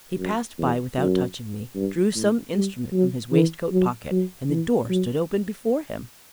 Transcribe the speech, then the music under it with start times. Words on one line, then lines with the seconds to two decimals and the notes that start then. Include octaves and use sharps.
He passed by, without touching me, drew some instrument from his waistcoat pocket, and the door stood open before him.
0.18 F#2
0.58 E2
0.98 F#2
1.75 G2
2.15 A2
2.54 G3
2.93 F#3
3.32 E3
3.72 F#3
4.11 F#3
4.50 E3
4.89 F#3